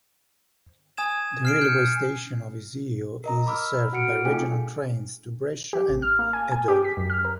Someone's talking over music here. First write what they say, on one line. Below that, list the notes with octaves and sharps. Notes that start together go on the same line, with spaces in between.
The railway station of Iseo is served by regional trains to Brescia and Edolo.
G#5 D#6 G#6 E7
F6 C7 D7
G6 C#7
A#4 D#5 A#5
B5 D6 E6 F6
F#4 F#5 F6 C#7 D7
G#4
A3 D#4 F4 A4 G5 G#5
G4
A1
F6
A#3
G#5
G#5
G4
B6
F#2
F6
A#4